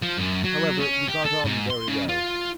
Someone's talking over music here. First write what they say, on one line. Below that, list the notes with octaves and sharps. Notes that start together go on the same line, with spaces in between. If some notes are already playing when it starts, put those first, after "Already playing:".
However, we got on very well.
F3
F#2
F#3
C#4
G4
A4
G#2
C6
C#3
F4